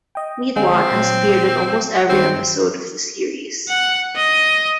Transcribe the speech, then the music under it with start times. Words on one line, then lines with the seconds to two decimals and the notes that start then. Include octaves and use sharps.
Meatwad has appeared in almost every episode of the series.
0.15 D#5 G5
0.56 D3 G#3 C4 F5
0.91 A#2 F#3
2.09 G2 D#3 F#3 C4
3.69 F#5
4.16 D#5